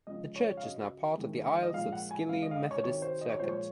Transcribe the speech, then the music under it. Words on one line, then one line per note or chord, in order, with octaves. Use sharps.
The church is now part of the Isles of Scilly Methodist Circuit.
C#3 F3 G#3 D#5
C#5
F5
C#3 F#3 D#5
C3 D#3 G#3
D#5
A#2 F3 G#3 F5
F#5
G#5
C#3 G#3 F5
D#5
F5
D#5
C#5
C3 D#3 F#3 C#5
C5
D#5
C#5
A#2 F3 G#3 C5
C#5